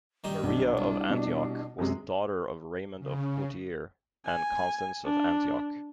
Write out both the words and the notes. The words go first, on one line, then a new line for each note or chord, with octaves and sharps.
Maria of Antioch was the daughter of Raymond of Poitiers and Constance of Antioch.
D#3 G3
B1 D4
C2
B2
F#2 C3 G#3
C#3
G#5
D4